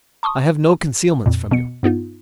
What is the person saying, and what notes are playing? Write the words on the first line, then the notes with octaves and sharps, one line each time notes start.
I have no concealments from you.
A5 C6 C#6 D#6
F2 A#2
B2 B3 C#7
G2 B3 D#4 F4